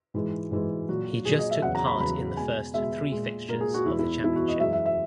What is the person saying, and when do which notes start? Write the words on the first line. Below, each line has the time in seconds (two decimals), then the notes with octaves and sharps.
He just took part in the first three fixtures of the championship.
0.14 G#2 E3 G#3
0.51 G#2 E3 G#3
0.89 A#2 F#3 F#4
1.25 A#2 F#3 G#4
1.39 D#5
1.51 E5
1.62 E2 C#3 F#3 F#5
1.75 A#5
1.87 B5
2.00 E2 C#3 F#3 B5
2.37 B2 G#3 G#5
2.74 B2 G#3 E5
3.12 A#2 G#3
3.49 A#2 G#3 A#4
3.61 G#4
3.74 F#4
3.86 E2 B2 G#3 E4
3.99 E4
4.23 E2 B2 G#3 E4
4.36 F#4
4.48 D#5
4.60 F#2 E3 G#3 E5
4.73 E5
4.86 E5